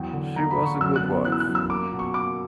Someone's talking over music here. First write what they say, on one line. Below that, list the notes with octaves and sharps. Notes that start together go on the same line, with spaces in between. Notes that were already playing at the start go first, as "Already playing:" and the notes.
She was a good wife.
Already playing: E2 F#3 G5
D3
A#3 A#5
B5
D3
C#6
F#2 E6
F#6
B3
E3 F#6
E6
F#6
F#2
E6
A#3 D6
B2
C#6
A#3 D6